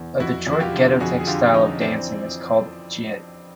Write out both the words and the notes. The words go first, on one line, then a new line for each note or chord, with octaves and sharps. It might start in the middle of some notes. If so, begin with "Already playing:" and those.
A Detroit ghettotech style of dancing is called the jit.
Already playing: E2
F2 E4 F#4
F2
F#4
F4 G4
D3
F2 F#4 G#4
G#4
D3 F4 G4
F2 C#4 D#4
E3 C4 D4